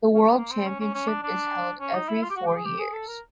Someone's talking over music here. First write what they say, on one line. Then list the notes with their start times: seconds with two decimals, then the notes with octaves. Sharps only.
The world championship is held every four years.
0.14 C#4
0.22 C4
0.29 B3
0.37 A#3
0.51 C4
0.66 C#4
0.80 C#4
0.94 C#4
1.08 D4
1.23 D4
1.80 C#4
1.94 D#4
2.08 E4
2.22 F4
2.30 G4
2.36 F#4
2.46 G4
2.56 G#4
2.64 G4
2.79 G#4
2.93 A4
3.08 A#4